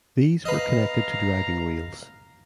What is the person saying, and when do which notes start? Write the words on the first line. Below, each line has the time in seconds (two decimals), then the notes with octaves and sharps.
These were connected to driving wheels.
0.45 B4 D#5 F5 A#5